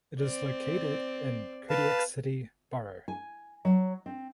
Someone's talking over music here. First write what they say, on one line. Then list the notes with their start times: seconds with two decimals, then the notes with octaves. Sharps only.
It is located in Kodiak City Borough.
0.21 C4 D5
1.70 B4 F5 A5
3.08 G#5
3.65 F#3
4.06 C4